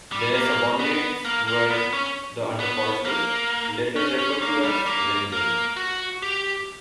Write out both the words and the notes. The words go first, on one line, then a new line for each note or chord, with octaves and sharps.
Their subordinates were the under-foresters, later referred to as rangers.
G3
A#3
B3
A#3
A#3
B3
C#4
B3
A#3
C#4
C#4
A#3
G3
A#3
A#3
F#4
G4